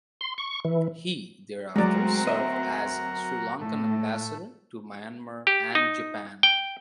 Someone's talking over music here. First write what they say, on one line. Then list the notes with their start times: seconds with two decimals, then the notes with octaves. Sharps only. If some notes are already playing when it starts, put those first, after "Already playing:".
He thereafter served as Sri Lankan Ambassador to Myanmar and Japan.
0.21 C6
0.38 C#6
0.65 E3
1.76 D2 F#3 G#3 C4 F#4 A#4 D5
2.27 D#5 E5
3.61 A2 A3
5.47 G4
5.75 D#4
6.43 G5